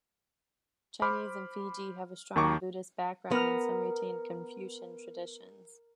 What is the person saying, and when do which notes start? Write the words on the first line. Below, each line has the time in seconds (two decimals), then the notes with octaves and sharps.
Chinese in Fiji have a strong Buddhist background and some retained Confucian traditions.
1.02 C5 B5 D6 F6
2.36 D#2 D#3 A#5 C#6 D6
3.31 B3 A#4 F6